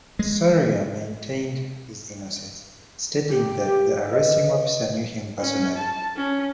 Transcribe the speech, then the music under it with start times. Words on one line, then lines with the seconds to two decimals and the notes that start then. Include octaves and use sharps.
Sarria maintained his innocence, stating that the arresting officer knew him personally.
0.19 G#3
3.30 G4
4.12 B4 D#5
5.40 C#4
5.77 A5
6.16 C#4